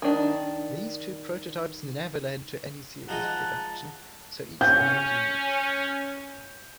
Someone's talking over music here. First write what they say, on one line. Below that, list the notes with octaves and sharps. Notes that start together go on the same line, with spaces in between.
These two prototypes never led to any series production, so each remained unique.
D#3 D4
F3 G#3 D#4 F#5 A5 A#5
C#4 G6